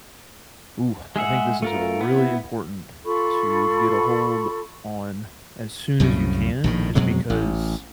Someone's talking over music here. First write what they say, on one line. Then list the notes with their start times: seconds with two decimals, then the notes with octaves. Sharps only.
Ooh, I think this is a really important to get a hold on as soon as you can just because,
1.16 G#3 G#4 E5 F#5
1.62 A3 F4 A#4
2.01 B3 E4
3.04 F4 A4 B5 C#6
6.00 C2 F#2 A2 C#3
6.64 A#1 A2 D#3
6.95 F2 B2 F#3 G#3
7.30 A1